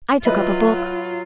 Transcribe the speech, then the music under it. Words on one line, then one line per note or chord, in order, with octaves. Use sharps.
I took up a book.
F#3 E4 F4 B4 D#5